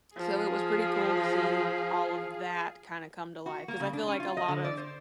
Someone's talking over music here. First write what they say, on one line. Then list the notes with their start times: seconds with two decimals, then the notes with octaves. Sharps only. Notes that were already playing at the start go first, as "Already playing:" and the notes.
So, it was pretty cool to see all of that kinda come to life, 'cause I feel like a lot of
0.16 F3 G#4 F5
3.46 F#4
3.68 A#3
3.80 C#3
3.93 D4
4.08 C#4
4.20 F4
4.37 D#5
4.48 D3
4.64 D5
4.77 C5